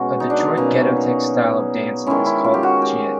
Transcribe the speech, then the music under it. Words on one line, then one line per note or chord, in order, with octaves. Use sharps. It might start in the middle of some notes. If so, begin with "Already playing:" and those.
A Detroit ghettotech style of dancing is called the jit.
Already playing: B2 G#3 C#4 F#4
D#4
D4
D#4
B2 F#3 A#3 C#4
D#3 G#3 C#4 E4
E4
F4
G4
F#4
G4